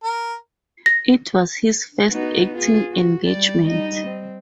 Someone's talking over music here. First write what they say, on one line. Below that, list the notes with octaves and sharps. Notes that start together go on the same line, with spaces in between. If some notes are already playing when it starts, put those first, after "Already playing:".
It was his first acting engagement.
A#4
A#6
B3 D#4 F#4
F4 G#4
F#4
G3 D5
G3 D#4 D#5
C4